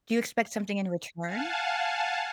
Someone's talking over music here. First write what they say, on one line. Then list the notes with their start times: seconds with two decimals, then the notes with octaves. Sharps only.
Do you expect something in return?
1.26 F5 F#5 G#5 A5